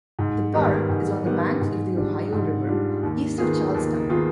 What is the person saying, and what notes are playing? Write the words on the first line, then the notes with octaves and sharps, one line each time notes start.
The park is on the banks of the Ohio River, east of Charlestown.
G#2
D#3 G3 B3
G#2
D#3 G3 B3
G#2
G3 D4 F4
G#2
G3 D4 F4
D#2
D#3 B3 F4 G#4
D#2
D#3 B3 F4 G#4